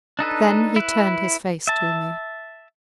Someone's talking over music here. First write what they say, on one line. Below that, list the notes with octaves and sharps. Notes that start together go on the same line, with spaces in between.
Then he turned his face to me.
D4 D#4 A4 B4
E4 B4
E5 A5